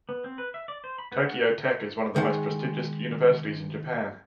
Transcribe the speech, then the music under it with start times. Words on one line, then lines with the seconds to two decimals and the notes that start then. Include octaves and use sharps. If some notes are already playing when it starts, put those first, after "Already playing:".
Tokyo Tech is one of the most prestigious universities in Japan.
0.09 B3
0.24 C4
0.38 B4
0.54 E5
0.68 D5
0.84 C5
0.98 B5
1.12 B3
1.25 F#5
2.16 D#3 G#3 F#5